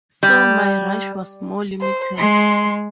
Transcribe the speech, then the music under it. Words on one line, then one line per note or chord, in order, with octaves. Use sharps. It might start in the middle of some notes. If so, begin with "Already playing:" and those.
So my rush was more limited.
G3
C5
G#3 C6